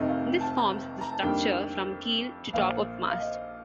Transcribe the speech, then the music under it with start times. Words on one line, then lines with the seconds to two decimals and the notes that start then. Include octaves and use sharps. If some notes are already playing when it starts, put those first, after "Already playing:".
This forms the structure from keel to top of mast.
Already playing: F1 F2 C3 D#3 A3 D#5
0.08 F5
0.41 A5
0.58 A#5
1.01 A#5
1.12 A5
1.22 F2 D#3 G3 A#3 D4 G5
2.53 A#1 A#2 F3 F5
3.10 F5
3.18 D#5